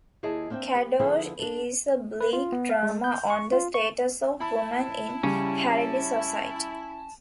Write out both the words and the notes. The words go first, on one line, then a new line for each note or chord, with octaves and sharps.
"Kadosh" is a bleak drama on the status of women in Haredi society.
D#2 E4 G#4 D#5 A5
A#3 C4 D4 E5 G5
B3 G4
D3 F3 B3 E4 F4 G#4
D4 A4
B4
F4
B3
F5
G#3
G6
C#6
F4
C#6
E4 A5 B5
C#3 G3 C#4